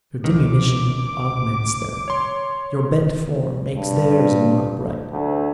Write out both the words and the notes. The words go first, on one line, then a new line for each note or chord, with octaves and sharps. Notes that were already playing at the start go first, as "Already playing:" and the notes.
Your diminution augments them. Your bent form makes theirs more upright.
C#2 D#3 D6
C#5 C6
G2
D2